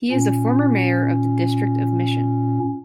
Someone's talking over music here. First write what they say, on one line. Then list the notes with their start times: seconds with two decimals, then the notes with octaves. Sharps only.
He is a former mayor of the District of Mission.
0.11 A#2 C#4